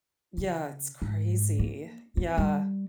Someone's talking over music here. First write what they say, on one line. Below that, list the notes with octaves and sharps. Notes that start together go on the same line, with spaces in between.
Yeah, it's crazy. Yeah,
C#3
G#2
A#3
C4
G3